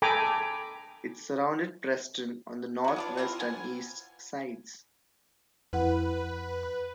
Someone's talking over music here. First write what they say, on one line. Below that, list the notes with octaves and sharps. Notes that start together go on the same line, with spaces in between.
It surrounded Preston on the north, west and east sides.
A4 G5 G#5 A#5 B5 D6
F#3 F#4
B3 D4 F4
C4 E4 F4 A#4
B3 G#5
F2 E4 B4 F#5